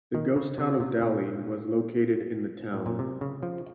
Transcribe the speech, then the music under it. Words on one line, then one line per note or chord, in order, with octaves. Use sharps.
The ghost town of Delhi was located in the town.
D#3
C#3
C3
C3
A#2
A2
A#2
C3
C#3
F3